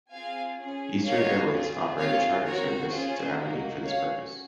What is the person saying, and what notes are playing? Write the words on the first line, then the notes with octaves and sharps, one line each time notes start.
Eastern Airways operate a chartered service to Aberdeen for this purpose.
C4 F4 G#4 F5 G#5
C#4 G#4
A#3 D#4 F#4 C#5 F5
C4 F4 G#4
C4 F4 G#4 C#5 F5
C4 F#4 A#4 C#5
C#4 F4 G#4 C5
A#3 D#4 F#4
C#4 F#4 C#5 F5